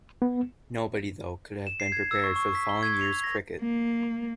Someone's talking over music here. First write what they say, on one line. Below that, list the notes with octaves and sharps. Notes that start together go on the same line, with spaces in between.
Nobody, though, could have been prepared for the following year's cricket.
B3
E7
C7
G#6
E6
C#6
C#6
B6
G7
G#6
F7
A#6
A#3